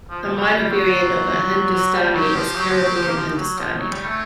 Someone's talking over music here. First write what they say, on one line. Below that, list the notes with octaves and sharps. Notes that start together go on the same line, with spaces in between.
A minor variant of Hindustani is Caribbean Hindustani.
F3
F3
F#3
G3 A#3 D4 F4
F#3
F#3
G3
F#3 C4 D#4 G4 C5
F3
F#3
F3
F#3
F3
A#3
F3
F3
F#3
F3
F#3 C4 D#4 G#4 C#5
G3
A3